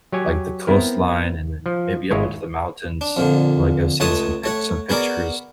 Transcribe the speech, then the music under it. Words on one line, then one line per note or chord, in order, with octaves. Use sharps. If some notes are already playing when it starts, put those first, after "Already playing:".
like, the coastline and then maybe up into the mountains, like, I've seen some pic some pictures.
F#3 G4 C#5 G#5
B3 C4 E4 A#4
F3
G#1 G#3 E4 F4 C#5
D4
F2 A#2 D3
C#2 A3 C#5 F#5 A5 D#6
A3 C#5 F#5
B3 F#4 G#4 A#4 D5